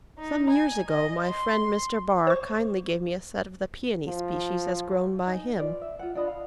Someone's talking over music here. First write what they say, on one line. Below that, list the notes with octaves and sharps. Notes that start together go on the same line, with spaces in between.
Some years ago my friend Mr. Barr kindly gave me a set of the Paeony species as grown by him.
D#4
G#5
D#5
C6
C5 C#6
F3
D#4 G#5
F4 B4 D5
E5
F4 F#5
D4 F4 D#5 B5
F5